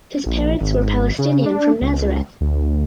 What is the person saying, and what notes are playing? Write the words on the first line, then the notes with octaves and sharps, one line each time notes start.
His parents were Palestinian from Nazareth.
A#1
G#1
C#3
D4
C#2
D2